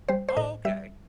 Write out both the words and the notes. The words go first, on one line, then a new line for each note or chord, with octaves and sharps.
Oh, okay.
G3 C5
C5
A2 D#5
G3 E5